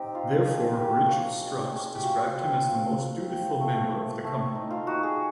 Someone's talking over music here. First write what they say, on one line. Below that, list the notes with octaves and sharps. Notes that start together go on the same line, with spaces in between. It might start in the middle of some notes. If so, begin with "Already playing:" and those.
Therefore Richard Strauss described him as the most dutiful member of the company.
Already playing: C4 D#4 G4
F4
F3
D4 G4
F#4
F4
A#3 F#4
G#3
C#4
G4
F4 F#4
C4
F4
A#3
C4
A3
A3
A3
D#4
F4
D#4 F#4
G#4